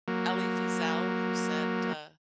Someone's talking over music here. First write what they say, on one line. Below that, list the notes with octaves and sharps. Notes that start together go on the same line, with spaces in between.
Elie Wiesel who said, uh,
F#3 A#3